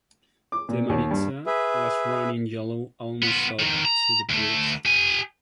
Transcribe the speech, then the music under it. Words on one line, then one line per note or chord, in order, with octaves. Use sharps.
The Maritza was running yellow almost up to the bridge.
D6
A#2
D#2
G2
G#4 B4 E5
B3 F4
F2 D#3
A#5
D2 A3
G4 G#5